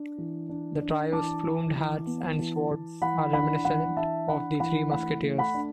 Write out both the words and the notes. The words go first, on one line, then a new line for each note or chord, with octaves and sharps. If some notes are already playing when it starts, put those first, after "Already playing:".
The trio's plumed hats and swords are reminiscent of the Three Musketeers.
Already playing: D4
E3
D4
D4
E3 A5 D6
E3
E3
B3
E3
E3
E3 F#5 B5
D4 F#5 B5
E3 F#5 B5
D4 E5 A5
D4 F#5 B5
E3 F#5 B5
A3 F#5 B5
A3
F#5 B5
D4